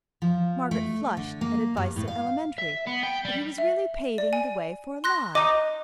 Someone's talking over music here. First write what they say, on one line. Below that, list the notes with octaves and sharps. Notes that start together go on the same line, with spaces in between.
Margaret flushed at advice so elementary, but he was really paving the way for a lie.
F3
A3
D3
A#3
G2
A2
F5
E5
B3
G5
G3
E5
D5
G#5
C6 F#6 A#6
D#5 A#5 D6 A#6